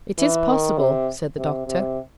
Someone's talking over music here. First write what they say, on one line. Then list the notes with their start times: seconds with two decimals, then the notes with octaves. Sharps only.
"It is possible," said the doctor.
0.18 E3
0.49 D#3
0.78 C3
1.38 C3
1.67 C3